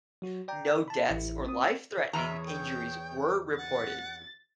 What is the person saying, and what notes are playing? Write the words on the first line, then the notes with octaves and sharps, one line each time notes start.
No deaths or life-threatening injuries were reported.
F#3 F#4
D5 G5 A#5
A5 B5
A1 E4
C4 D#6
E2 G#4 C#5 E5 A#5
G5
F#5 A6